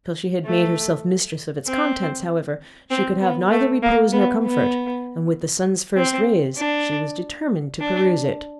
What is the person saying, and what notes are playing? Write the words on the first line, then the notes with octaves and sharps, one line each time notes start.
Till she had made herself mistress of its contents, however, she could have neither repose nor comfort; and with the sun's first rays she was determined to peruse it.
A3
C4
C4
B3
A3
A#3
B3
B3
C4
D4
D4